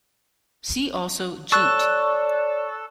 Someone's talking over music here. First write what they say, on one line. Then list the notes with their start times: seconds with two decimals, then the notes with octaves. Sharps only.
See also Jute.
1.52 A4 C#5 D5 C#6 F#6